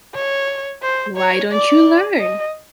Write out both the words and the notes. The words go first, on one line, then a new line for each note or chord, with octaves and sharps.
Why don't you learn?
C#5
C5
C#5
D5
D#5